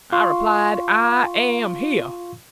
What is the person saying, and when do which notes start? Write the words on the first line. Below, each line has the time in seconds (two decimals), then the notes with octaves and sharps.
I replied, "I am here."
0.12 F4 F5 C6 C#6